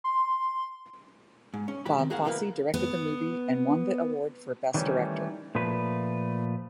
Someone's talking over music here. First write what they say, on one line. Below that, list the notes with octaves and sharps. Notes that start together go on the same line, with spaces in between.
Bob Fosse directed the movie and won the award for Best Director.
C6
G#2
C#4
G#2 F#3 G4 B5
D#3 C4
A2 F#4 G#4 A#4 F5 F#5
F#2 A2 D#3 A#3 A#4 B4
B3
D#3 E3 G3 A3 C#4
A#2 F3 A3 B4